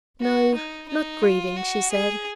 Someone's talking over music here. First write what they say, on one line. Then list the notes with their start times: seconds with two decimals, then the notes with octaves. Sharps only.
"No, not grieving," she said.
0.20 F#4
0.54 D#4
0.88 D#4
1.23 F4
1.56 F#4
1.91 G#4